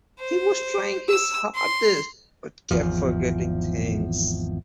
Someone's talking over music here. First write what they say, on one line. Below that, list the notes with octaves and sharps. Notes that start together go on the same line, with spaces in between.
He was trying his hardest, but kept forgetting things.
C5
E6
C6
G#1 E2 F3